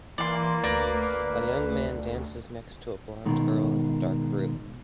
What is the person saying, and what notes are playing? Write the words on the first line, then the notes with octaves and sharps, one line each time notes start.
A young man dances next to a blond girl in a dark room.
E3 A#3 D5 C6
D2 A#4 B4 D5
B2 D#3 G#3